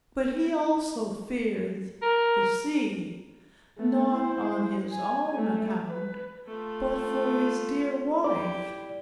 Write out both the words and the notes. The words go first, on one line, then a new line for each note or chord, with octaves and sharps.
But he also feared the sea, not on his own account, but for his dear wife.
A#4
A3 B3
E4 C5
G#5
A3
B4
A3 F4
E4 G4 D5